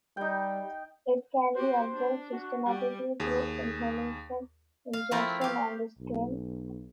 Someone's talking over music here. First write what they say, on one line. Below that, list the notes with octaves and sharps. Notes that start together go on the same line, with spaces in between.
It can be absorbed systemically through inhalation, ingestion, and the skin.
G3 D#4 G5
F#4 G4 C5
D4
F#4
G3 G4
D#2 G#4
F5
F3 A3 C4 E4 A#4
G4 F5
B1